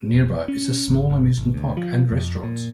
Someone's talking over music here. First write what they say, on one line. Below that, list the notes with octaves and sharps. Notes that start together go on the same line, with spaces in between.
Nearby is a small amusement park and restaurants.
F1
C#4
G#1
G1
G#1
D2
F3
F2
A#2